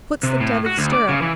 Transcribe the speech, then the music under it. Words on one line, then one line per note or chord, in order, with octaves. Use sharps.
"Foot slipped out of the stirrup."
C3
A2
F#4
D2
D5
C#3
E3